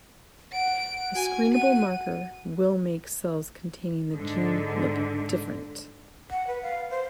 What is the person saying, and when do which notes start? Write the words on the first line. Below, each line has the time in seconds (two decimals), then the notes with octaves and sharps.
A screenable marker will make cells containing the gene look different.
0.52 F#5 D7
1.15 F#4 G#5
1.53 F#5 D#7
4.15 G#2 D3
6.30 F#5
6.47 B4
6.63 F5
6.90 C5